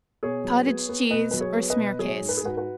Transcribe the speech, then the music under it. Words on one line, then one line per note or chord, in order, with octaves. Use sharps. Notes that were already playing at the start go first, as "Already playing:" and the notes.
Cottage Cheese or Smearcase.
B2 G#4 C#5
F#3
B3
B3
B2 B4 D#5
F#3 B4
G#4 C#5
B3
B4 D#5
B2
F#3 G#4 C#5
G#2
B4
G#4
G#2 F#4 B4
F#4 B4